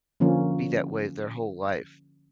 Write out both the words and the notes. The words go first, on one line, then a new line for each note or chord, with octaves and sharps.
be that way their whole life,
D3 F3 A#3 C#4